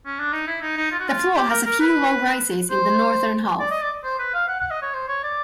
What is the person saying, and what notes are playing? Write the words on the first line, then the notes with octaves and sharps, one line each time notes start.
The floor has a few low rises in the northern half.
C#4
D4
D#4
E4
D#4
D#4
F4
F#4
F4
G4
A#4
A#4
B4
C5
D5
D#5
D5
C5
B4
F5
F#5
F#5
D#5
C#5
C5
C#5
D5